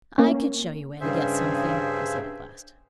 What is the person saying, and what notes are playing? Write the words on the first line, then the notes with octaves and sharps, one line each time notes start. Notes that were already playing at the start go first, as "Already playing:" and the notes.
"I could show you where to get something," he said at last.
A#3 C#4
G2 C#3 G#4 C5 E5